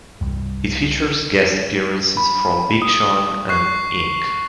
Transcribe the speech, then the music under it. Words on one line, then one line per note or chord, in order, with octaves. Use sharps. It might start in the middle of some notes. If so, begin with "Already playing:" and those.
It features guest appearances from Big Sean and Ink.
C2 G2
B5
D#6
C#6 F#6 C7